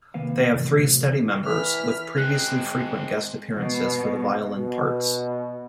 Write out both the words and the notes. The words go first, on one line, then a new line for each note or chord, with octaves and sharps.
They have three steady members with previously frequent guest appearances for the violin parts.
C3 D#3 A#3 B4 F5
A2 C3 E3 F#3
E3 F6 B6
G#3 C4 F#6
B2
B2